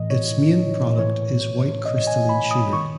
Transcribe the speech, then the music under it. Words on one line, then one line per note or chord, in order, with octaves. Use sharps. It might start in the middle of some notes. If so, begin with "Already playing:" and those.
Its main product is white crystalline sugar.
Already playing: A2 E3 D#5
C#5
A2 E3 C#5
D#5
G#5
B5
D#6
D#3 C#6